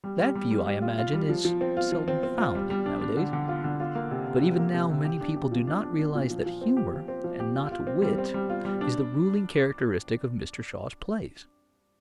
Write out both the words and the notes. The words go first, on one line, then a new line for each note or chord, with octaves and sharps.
That view, I imagine, is seldom found nowadays, but even now many people do not realize that humour, and not wit, is the ruling characteristic of Mr. Shaw's plays.
G3
G3
G3
G3
G3
F4
F4
G3
F3
F3
C4
F4
F3
C4
C4
F4
G3
G3
D4
D4
D3
D3
F4
D3
F4
A#3
C3
C3
C3
A#3
C3
C3
G4
D4
G4
F3
D4
D4
D4
A#2
F3
F3
C4
G4
F3
C4
F3
G4
F4
F4
C4
G3
C4
G3
F4
G3
D4